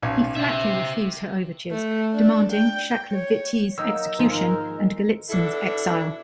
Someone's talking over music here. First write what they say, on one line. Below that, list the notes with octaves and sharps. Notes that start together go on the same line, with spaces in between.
He flatly refused her overtures, demanding Shaklovityi's execution and Golitsyn's exile.
B1 C#4
C5 E5
A3
D4
G5
C#5
F#3 A#3 D#4 E6
G#2 D#3 F3 G#3 A#4
B2 D4 E4 A4